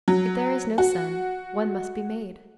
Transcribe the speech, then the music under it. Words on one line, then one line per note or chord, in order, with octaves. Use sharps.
If there is no sun, one must be made.
F#3
F#4